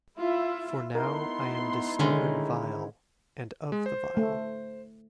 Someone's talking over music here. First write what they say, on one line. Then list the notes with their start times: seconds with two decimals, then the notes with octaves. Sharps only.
For now I am discovered vile, and of the vile.
0.16 E4 F4 E5
0.95 B3 D#4 E4 A#4 C6
1.99 D3 D#3 G#3 C#4
3.72 G#3
3.86 C5
4.17 A3